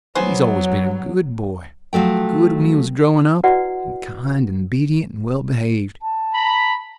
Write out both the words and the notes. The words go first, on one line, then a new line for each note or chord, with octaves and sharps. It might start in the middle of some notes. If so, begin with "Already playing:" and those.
He's always been a good boy--good when he was growin' up, and kind and 'bedient and well-behaved.
F#3 B3 C5 G#5
F3 F#3 A3 G5
E4 F#4 B4 D5 F#5
A5
A#5 B5